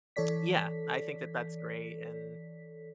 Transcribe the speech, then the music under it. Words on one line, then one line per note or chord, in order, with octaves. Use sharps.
Yeah, I think that that's great and,
E3 A4 C#5 D5 B6